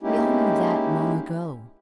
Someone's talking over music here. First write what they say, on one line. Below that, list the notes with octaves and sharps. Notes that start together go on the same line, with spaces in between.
'We all knew that long ago.'
G#3 A#3 C#4 D#4 E4 G4